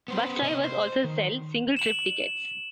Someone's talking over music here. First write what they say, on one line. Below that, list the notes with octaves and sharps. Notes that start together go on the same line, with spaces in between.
Bus drivers also sell single-trip tickets.
B3 C5
C3 D#5
C5
D#3
E7 F#7